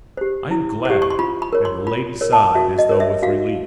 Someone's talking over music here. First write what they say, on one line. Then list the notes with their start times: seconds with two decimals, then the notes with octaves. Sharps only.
"I am glad," and the lady sighed as though with relief.
0.17 G4 C5
0.51 E4
0.85 G4 C5
1.02 C#6
1.10 C6
1.19 F4 B5
1.42 B5
1.53 A#4 C#5
1.65 C6
1.87 F4 B5
2.21 A#4 C#5
2.33 A5
2.55 F#4 E5
2.78 D#5
2.89 A#4 C#5
3.00 E5
3.23 F#4 F5